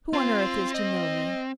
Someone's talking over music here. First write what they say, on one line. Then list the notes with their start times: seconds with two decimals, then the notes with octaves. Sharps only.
Who on earth is to know me?'
0.13 C4 F4
0.74 D#5